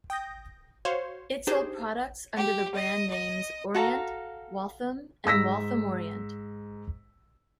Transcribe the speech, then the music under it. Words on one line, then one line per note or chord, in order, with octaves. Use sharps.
It sold products under the brand names Orient, Waltham, and Waltham-Orient.
G5 D#6 G6 A#6
F#4 C5 C#5 F5 C6
D4 D#4 G4 G#4 C5
G4
D#5
D#5
F#4 A4 F5 A#5
G#2 E6 A#6 B6